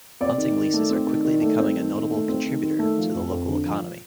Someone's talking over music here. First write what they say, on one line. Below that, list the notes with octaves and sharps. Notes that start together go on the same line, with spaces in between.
Hunting leases are quickly becoming a notable contributor to the local economy.
C4 D5
D#3
D#3
A3
C4
D#3
D#3
A3
C4 C5
D#3
D#3
A3
C4
D#3
D#3
A3
F3
F2
F2
D3
F3